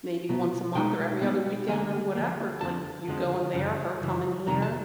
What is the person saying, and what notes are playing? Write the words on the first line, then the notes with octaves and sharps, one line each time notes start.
maybe once a month or every other weekend or whatever, like you going there, her coming here.
B2 F#3 B3
B2 G#3 B3 D#4 G5
B2 G#3 B3 D#4
D2 D3 F3 A#3 G#5
D2 D3 F3 A#3
F2 D3 F3 C4 A5
F2 D3 F3 G#3 C4
F#2 C#3 E3
F#2 C#3 E3
F2 C3 D#3 A#5
A5